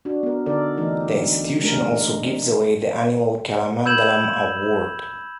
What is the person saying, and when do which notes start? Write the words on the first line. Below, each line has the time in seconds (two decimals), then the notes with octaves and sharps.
The institution also gives away the annual Kalamandalam award.
0.05 D4 F#4
0.23 B3 A#4
0.46 D3 D#4 A4 A#4 D5
0.77 E3 A3 C4 D#4 A4 A#4
1.62 G#3 A3 D4 G#4 A#4
3.85 B5 E6 G6 G#6 E7 F#7